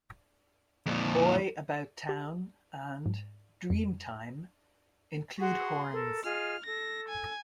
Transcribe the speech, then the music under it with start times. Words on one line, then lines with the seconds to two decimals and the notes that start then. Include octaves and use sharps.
"Boy About Town" and "Dream Time" include horns.
0.86 F2 A#2
2.09 G4
3.06 G#2
3.70 F2
5.39 F#4 G#4 C6 C#6
5.92 A4 A#4
6.24 F4 G#4 D#5 F6
6.66 A4 A#6
7.09 G#5